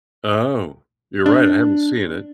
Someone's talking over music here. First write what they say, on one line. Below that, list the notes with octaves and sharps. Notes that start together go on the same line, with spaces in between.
Oh, you're right, I haven't seen it.
D4